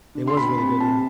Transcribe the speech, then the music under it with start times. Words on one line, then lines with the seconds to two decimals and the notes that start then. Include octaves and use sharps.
It was really good, yeah.
0.15 D3
0.27 C6
0.37 B5
0.58 C3 B5
0.80 A5